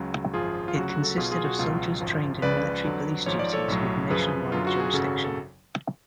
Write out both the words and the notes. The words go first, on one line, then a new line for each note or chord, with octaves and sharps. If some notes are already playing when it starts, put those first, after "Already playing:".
It consisted of soldiers trained in military police duties with nationwide jurisdiction.
Already playing: C#2 C#3 F#3 F#4
G#1 F#2 F3 F4 G#4
F4
D2 C#3 F#3 F#4
F#4
F#4 A4
B1 B2 F#3 F4 G#4
F4 G#4
F#4
C#2 B2 F#3 F4
G#1 F#2 F3
C#2 C#3 F3 B4 D5
F2 D3 F#3
G#1 G#2 F3 C#5
D5
A4 C#5
B1 A2 F#3
F#2 C#3 F3 G#4 B4
F#2 D3 F#3 F4
F#4
G#4
G#1 F#2 C#3 F#4 A4
A4